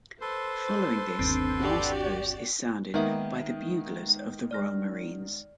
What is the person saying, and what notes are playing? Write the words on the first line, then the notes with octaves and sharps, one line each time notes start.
Following this, "Last Post" is sounded by the buglers of the Royal Marines.
A4 B4 C5 C6
G1 D#2 C4 D4
F#4 G4 D5
D#3 G#3 A#3 B3 D#4 E5 G5
D5 F6 A#6